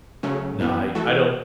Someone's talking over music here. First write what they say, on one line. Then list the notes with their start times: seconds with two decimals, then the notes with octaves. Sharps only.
No. I I don't
0.23 C#3 F#3 A3 C#4
0.59 F#2 E3 B3
0.95 E3 A3 F#4 A4